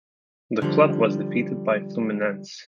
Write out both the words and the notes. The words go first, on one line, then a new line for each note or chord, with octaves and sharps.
The club was defeated by Fluminense.
D3 F3 G3